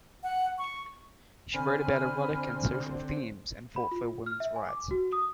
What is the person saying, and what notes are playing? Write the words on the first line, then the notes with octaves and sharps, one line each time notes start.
She wrote about erotic and social themes and fought for women's rights.
F#5
C#6
D3 C4 G#5 B5 F6
B5
F4
F6
E5
G#5
D6
F#4
D#6